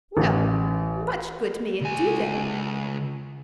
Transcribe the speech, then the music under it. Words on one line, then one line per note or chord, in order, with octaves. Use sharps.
Well, much good may it do them!
A1
C#2 G#5